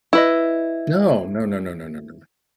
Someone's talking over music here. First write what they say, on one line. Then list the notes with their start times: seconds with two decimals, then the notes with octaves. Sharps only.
No, no, no, no, no, no, no, no.
0.13 E4 B4 D#5